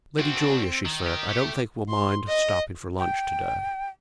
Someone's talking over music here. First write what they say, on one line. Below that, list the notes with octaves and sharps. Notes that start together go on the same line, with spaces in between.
"Lady Julia," she said, "I don't think we'll mind stopping for lunch to-day."
C4 D4 F#4
D#3
G4
A3
C6
D#5
G5